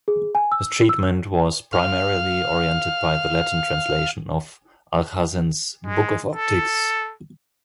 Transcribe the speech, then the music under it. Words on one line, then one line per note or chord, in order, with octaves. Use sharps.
His treatment was primarily oriented by the Latin translation of Alhazen's "Book of Optics".
G#4
G#5
E6
E6
F5 F6
G#3
A4